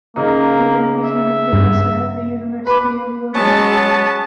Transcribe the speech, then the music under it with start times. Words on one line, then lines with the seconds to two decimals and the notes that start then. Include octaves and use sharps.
He then became a professor at the University of Lund.
0.16 C#3 A#3 D#4
1.04 E5
1.53 G2
2.67 B4 B5 D6
3.34 F#3 G#3 B3 C#4 A5